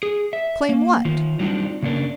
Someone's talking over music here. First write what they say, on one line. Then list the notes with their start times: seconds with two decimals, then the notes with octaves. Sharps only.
Claim what?
0.03 G#4
0.33 E5
0.69 A#3
1.05 D#3 F4
1.39 F#3 G3 C4 D4 D#4 F4
1.83 C#3 A#3 C#4 D4 A#4